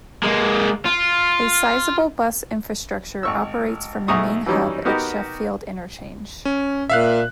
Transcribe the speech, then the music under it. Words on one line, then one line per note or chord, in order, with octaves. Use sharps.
A sizeable bus infrastructure operates from a main hub at Sheffield Interchange.
G#3 A#3
F4
G#1 C#6 E6
B1 A3 G#4 A#5 C#6 D#6
E3 F#3 G3 C#4 D#4
B3 D#4 F#4 G4 A#4
C#4
A#2 E5 F5 F#6